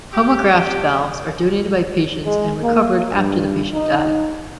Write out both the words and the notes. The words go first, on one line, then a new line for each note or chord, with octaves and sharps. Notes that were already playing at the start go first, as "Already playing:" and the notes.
Homograft valves are donated by patients and recovered after the patient dies.
G4
G#3
A#3
G2
D#4